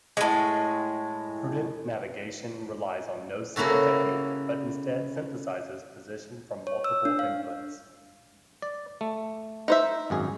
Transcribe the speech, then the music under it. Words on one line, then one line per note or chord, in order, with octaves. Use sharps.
Prudent navigation relies on no single technique but instead synthesizes position from multiple inputs.
A2 G#3
C#3 A#3 E4 F#4 A4
C#5
E6
D4
F5
D5
A3
D#4 C5 E5
G#1 F#2 G#4